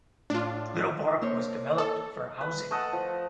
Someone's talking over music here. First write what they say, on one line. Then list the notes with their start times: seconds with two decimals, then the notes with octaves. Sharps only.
Little Park was developed for housing.
0.30 A2 D4 F4
1.21 A#3 C5 C#5
1.78 A4
2.41 B4
2.71 A3 D#5 F#5 A5
2.93 F3